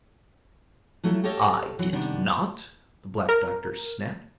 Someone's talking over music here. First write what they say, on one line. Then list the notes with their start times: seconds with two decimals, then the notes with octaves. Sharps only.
"I did not!" the Black Doctor snapped.
1.04 F3 F#3 A3 E4
1.24 G4 A4 C#5 D#5 F5
1.79 E3 F#3
1.92 C3 D#3 G3 B3 D4
3.29 A#4